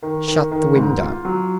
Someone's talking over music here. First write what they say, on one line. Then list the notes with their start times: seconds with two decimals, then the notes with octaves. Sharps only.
Shut the window.
0.02 D#3
0.28 D#3
0.51 D#3
0.76 G#2
1.00 F4
1.25 F#3